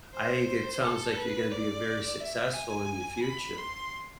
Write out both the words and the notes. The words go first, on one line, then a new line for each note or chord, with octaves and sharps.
I think it sounds like you're gonna be very successful in your future.
C5
A4
B4
D5
E5
G#5
B5
C6